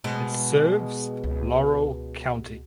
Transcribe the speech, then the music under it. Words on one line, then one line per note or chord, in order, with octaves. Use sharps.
It serves Laurel County.
B2 G#3
C#2